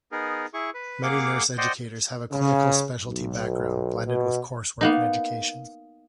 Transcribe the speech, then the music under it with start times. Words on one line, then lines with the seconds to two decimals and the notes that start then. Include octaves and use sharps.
Many nurse educators have a clinical specialty background blended with coursework in education.
0.12 B3 D#4 G#4 A#4
0.54 E4 G#4 C#6
0.74 B4
1.03 A#3 G#4 F5 F#5 D6
1.58 C5 D5 D#5 F#5 G5 C6
2.31 C#3
3.06 B1
4.06 B2
4.81 A#3 B3 D#4